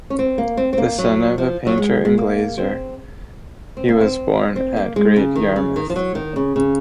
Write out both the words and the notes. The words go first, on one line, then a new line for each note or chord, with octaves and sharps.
The son of a painter and glazier, he was born at Great Yarmouth.
C#4
C4
A#3
C4
C4
A#3
F#3
F3
F#3
G#3
G#3
A#3
C4
C4
A#3
C4
C4
A#3
G#3
C#3
D#3
C#3
D#3
F3
F#3
D#3
C#3
C#3